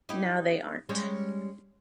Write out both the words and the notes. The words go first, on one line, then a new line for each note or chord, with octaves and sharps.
Now they aren't.
D#4 E4 G4
G3 G#3 C#4